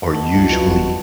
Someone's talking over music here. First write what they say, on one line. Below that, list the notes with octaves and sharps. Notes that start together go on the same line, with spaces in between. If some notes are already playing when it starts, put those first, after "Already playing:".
or usually
D#5 F#5 A5
C#2 D4 E4 F#4
G3 F4 B4
F#1